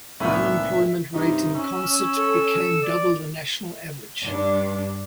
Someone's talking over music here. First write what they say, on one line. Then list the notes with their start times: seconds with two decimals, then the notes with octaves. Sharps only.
The unemployment rate in Consett became double the national average.
0.20 C2 A2 G#3 A#3 B3 D#4 E5
1.13 G2 C3 D#4
1.55 C#4 E6
2.17 A4
2.83 D5
4.22 G2 D4